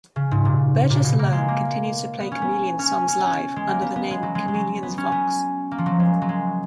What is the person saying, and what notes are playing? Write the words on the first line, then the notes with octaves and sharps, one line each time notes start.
Burgess alone continues to play Chameleons songs live under the name ChameleonsVox.
C#3
G#2
A#2
A#2
B2
A#3
G#3
A#3
B3
C#4
B3
C#4
C#4
C#4
G#3
A#3
B3
B3
G#3
F#3
G#3
G#3
F#3
B3
C#4
B3
A#3
F3
F#3
G#3
F#3
G#3